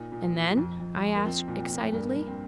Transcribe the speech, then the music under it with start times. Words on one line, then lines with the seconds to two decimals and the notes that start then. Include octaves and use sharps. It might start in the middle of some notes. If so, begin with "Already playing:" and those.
"And then?" I asked, excitedly.
Already playing: A#2 D#4
0.12 A#2
0.34 F3
0.57 F2
0.80 F2
1.03 F2
1.15 A#3
1.25 F3 C4
1.48 A#2
1.59 C4
1.71 A#2
1.93 G2 A#3
2.16 G2
2.28 C4